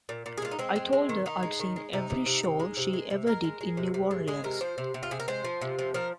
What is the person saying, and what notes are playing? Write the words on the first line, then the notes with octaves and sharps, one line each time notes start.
I told her I'd seen every show she ever did in New Orleans.
A#2
A#2
G#4
G#3 F4
D#4
G#3 C4
G#3
G#3
D#3
D#3 D#4
G#3
D#3
G#3
C3 D#4
C3
C3
C3
G#3
C3
G#3
C3
G#3 A#4
G#3
G#3
C3
C3
G#3
G#3 G#4
C3 A#4
F3 C5
C3
C3
F4
C3 G#4
A#4
G#3 C5
F3
C3
F3
F3 A#4